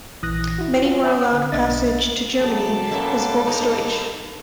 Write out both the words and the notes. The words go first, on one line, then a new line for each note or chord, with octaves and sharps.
Many were allowed passage to Germany as "Volksdeutsche".
A#1 E3 D#6 F#6 A#6
E4 F#4
F4
E5 G#5 B5 D6 E6
D3
B1 D4 D#5 E5 A6
C#3 F#3 A4 D6
F#2 B2 A#3 E5
G2 D#4